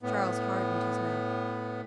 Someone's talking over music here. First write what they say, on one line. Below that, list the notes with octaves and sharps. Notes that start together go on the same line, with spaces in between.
Charles hardened his mouth.
A2 B3